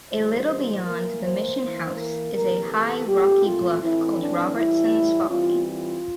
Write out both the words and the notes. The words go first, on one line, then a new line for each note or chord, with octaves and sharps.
A little beyond the Mission House is a high rocky bluff called Robertson's Folly.
E3 G3 A#3 C5
C5
E3 A#3 A#4
C5
E3 A#3
A#4
C3 E3 A#3 A#4
A4
A#2 A3 C4 G4
F4
A2 E3 A3 C4 E4
D4
A2 E3 G3 E4
E3 G3 C4 F4
F4